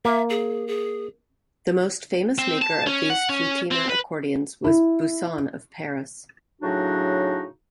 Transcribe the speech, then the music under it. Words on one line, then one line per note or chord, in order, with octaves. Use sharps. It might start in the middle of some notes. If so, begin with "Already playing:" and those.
The most famous maker of these "flutina" accordions was Busson of Paris.
A#3 E5
G#4
G#4
C4
A5
C#4
F#5
C#4
C4
B4
E4
A2 C#3 F#3 D4 D#4 F#4